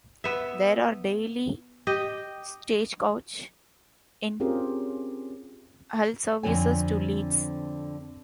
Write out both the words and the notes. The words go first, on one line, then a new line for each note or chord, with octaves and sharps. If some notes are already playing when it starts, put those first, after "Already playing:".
There are daily Stagecoach in Hull services to Leeds.
B3 E5
G4 D#5
C4 C#4 F4 G4 G#4 A#4
F2 D3 E3 C4 C#5 G#5